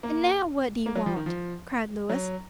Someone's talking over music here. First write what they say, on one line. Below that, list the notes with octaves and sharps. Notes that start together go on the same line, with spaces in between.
"And now what do you want?" cried Louis.
A#3
A#3
F#3
F3
D#3
F3
F#3